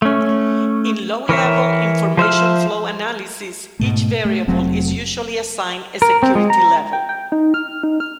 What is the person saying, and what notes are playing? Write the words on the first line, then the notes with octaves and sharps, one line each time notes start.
In low level information flow analysis, each variable is usually assigned a security level.
A3 C#4
E3 A#4 C#5 E5
F3 C5 E5 F6
G#2 B2 A3
A3
F1 F#3 A3 C4
A#4
C4
G#3
A#5
G5
G5
D#4
F6
D#4
F6